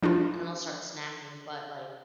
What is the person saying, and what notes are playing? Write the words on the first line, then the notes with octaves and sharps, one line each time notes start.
and then I'll start snacking, but, like,
F3 D4 E4 F4